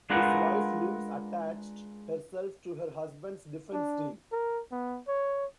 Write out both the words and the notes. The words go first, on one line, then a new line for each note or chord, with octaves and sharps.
His wife Luise attached herself to her husband's defence team.
G#3 D4 F4 A#4 B4 F#5
D4
A#4
B3
C#5